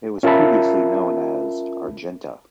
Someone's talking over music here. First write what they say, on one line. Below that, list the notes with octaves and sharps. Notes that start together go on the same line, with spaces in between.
It was previously known as Argenta.
C#4 F4 A#4 E5 A5 B5